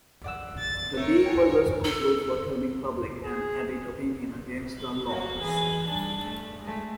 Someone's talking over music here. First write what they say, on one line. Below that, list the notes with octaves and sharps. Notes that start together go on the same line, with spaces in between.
The League was responsible for turning public and elite opinion against the laws.
D5 F#5 E6
A6
A3 A#4 C#5
G#4 F#5 G5
A4
G#4
A#3 F#4
E3 G#4
G3 D4
A3
G#3 A3